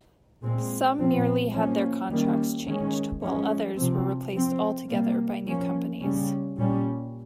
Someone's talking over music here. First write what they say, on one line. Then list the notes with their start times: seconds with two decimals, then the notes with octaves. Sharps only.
Some merely had their contracts changed, while others were replaced altogether by new companies.
0.42 A#2 G#3 C4
0.98 A#2 F3 C4
1.54 F3 A#3 C#4
2.11 D#3 G3 A#3 C#4
2.66 D#3 G#3 C#4
3.22 F3 G#3 C#4
3.78 C3 F3 C4
4.33 F3 C4
4.89 C3 G3 A#3
5.45 F3 A#3 C#4
6.01 C#3 G3 C#4
6.57 A#2 G3 C#4